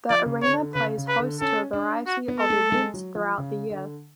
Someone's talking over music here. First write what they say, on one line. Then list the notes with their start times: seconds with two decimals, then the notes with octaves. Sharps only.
The arena plays host to a variety of events throughout the year.
0.10 F3 D5
0.26 C#3
0.43 D3 C#5
0.58 D3
0.75 C#3 B4
0.97 C#3
1.08 B4
1.19 D3
1.40 C#4 A4
1.73 D4
2.07 F#4
2.28 B3
2.40 A4
2.50 A3
2.72 G#3
2.94 F#3
3.15 F3
3.38 C#3
3.70 D3